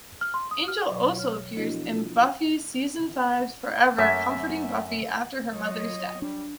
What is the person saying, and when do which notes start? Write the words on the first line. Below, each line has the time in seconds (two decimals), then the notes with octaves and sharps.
Angel also appears in "Buffy" season five's "Forever", comforting Buffy after her mother's death.
0.21 F6
0.34 C6
0.51 D#6
0.68 F6
0.89 B2 F#3
1.17 C#5 F6
1.57 F3 B3 D4 E4 F#4 D#5
1.90 F4
3.98 F#2 A3 A#3 E5
5.52 F#3 F4 C#5 D#5
6.22 G3 D4